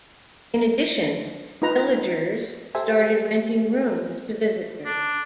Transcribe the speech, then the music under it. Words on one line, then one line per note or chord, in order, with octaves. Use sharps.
In addition, villagers started renting rooms to visitors.
D#4 F4 B4 A#5
G4 A4 C5 E5 G#5
D4